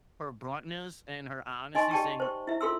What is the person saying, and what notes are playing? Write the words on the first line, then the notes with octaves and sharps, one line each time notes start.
her bluntness and her honesty saying,
D#4 D#5 G#5 C6 C#6
G4 D5 G5 A5 C#6
C5 C#6
E4 E5
F4 A4 C6 E6